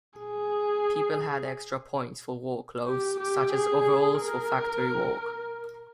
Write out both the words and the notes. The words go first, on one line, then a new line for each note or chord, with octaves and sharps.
People had extra points for work clothes, such as overalls for factory work.
G#4
G4
G4
G#4
A#4